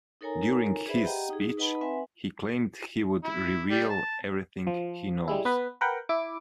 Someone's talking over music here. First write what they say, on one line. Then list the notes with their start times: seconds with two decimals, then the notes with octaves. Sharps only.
During his speech, he claimed he would "reveal everything he knows".
0.21 D#4 A4 A#4 C#5 G#5 A#5
0.87 G#4 B4 C5 D5 E5 B5
1.06 G4 D#5 F#5 G5 A#5
1.30 D#4 G#4
1.57 D#4 B4 D#5 F#5 A5 B5
1.81 C4 B4 E5 F#5 G#5
3.24 E4
3.70 G3
3.89 A5
4.67 F3
5.28 G3 G#3 E4
5.45 B3 B4
5.81 A#4 B4 F#5 G5
6.09 E4 D6